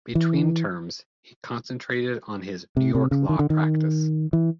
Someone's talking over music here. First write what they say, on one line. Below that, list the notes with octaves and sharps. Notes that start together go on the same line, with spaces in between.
Between terms, he concentrated on his New York law practice.
E3
C3
C3
C#3
D#3
D3
D#3
E3